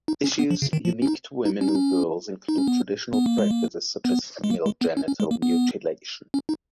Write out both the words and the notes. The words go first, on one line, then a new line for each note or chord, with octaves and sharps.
Issues unique to women and girls include traditional practices such as female genital mutilation.
D#4
C#4
B3
F3
C#3
D#3
F3
C#4
D#4
D#4
C#4
D#4
C#4
D#4
C#4
B3
B3
A#3
G#3
A#3
B3
G#3
A#3
G#3
B3
C#4
C#4
G#3
A#3
B3
C#4
D#4